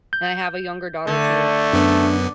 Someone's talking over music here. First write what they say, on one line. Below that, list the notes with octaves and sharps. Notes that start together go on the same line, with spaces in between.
and I have a younger daughter too.
G6
D3 A3
F#2 B3 D4